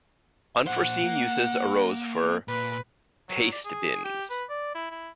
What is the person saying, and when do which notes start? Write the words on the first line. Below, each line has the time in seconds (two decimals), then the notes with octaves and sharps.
Unforeseen uses arose for pastebins.
0.66 A#2 C5 F#5
1.04 A#3
2.48 A#2 B4
3.29 F#3
3.53 D5
3.65 G#4
4.05 G4
4.30 B4
4.49 D5
4.75 E4
4.91 E4